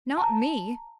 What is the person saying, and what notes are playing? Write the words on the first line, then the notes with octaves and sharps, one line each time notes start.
Not me!
A5 A#5